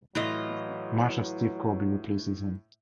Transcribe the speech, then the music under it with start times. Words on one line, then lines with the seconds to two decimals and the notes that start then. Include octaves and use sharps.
Marshal Steve Corbie replaces him.
0.15 A2 E3 F#3 F4 D#5